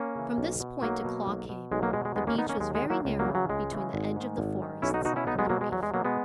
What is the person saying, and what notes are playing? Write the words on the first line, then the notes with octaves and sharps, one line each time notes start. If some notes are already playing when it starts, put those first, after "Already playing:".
From this point to Claw Cape the beach was very narrow between the edge of the forest and the reefs.
Already playing: A#3 C#4
C#3 E3
B1
B2
B1 F#3 A#3
B2
B1
B2
B1 G#3
F#3 A#3
B2 G#3
G#3
D#2 G#3 B3
A#3 C#4
D#3 B3 D#4
A#3 C#4
D#2 G#3
G#3
D#3
F#3 A#3
C#2
F#3 A#3
C#3 E3
F#3
C#2 G#3
C#3 E3
G#1
G#2 D#3
G#1
G#2 D#3
B1 C#4 E4
D#4 F#4
B2 D#4 F#4
C#4 E4
B1 B3 D#4
G#3 B3
B2 F#3 A#3
G#3
E2 F#3
G#3
B2 F#3 A#3
G#3 B3